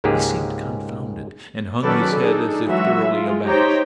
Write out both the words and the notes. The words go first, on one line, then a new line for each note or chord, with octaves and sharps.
He seemed confounded, and hung his head as if thoroughly abashed.
C#2 G#2 G#3 A#3 G4 G#4
D#3 F#3 C#4 A4 B4 D5
D4 D#4 G#4 A4
E3 F#3 G#3 F#4 E5
G#3 F4
D#4 G4 C5 C#5 G5 A#5